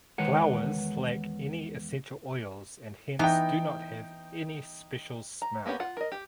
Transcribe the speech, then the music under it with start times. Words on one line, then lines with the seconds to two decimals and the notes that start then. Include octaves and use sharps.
Flowers lack any essential oils and hence do not have any special smell.
0.18 E2 D#3 G#3 B4 C#5 F#5
3.19 E3 B3 D#4 G5 A#5
5.42 A#5
5.66 A#3 B3 C#4 G4 F#5
5.80 F4 F#5
5.97 A#4 D#5
6.12 G4